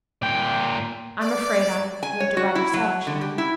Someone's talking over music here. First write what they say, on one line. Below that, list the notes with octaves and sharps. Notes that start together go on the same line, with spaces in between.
I'm afraid I've lived a rather selfish life.
A#2 G5
D5
G#5
C#5
F#4
E4
F#3
D3
G4
E4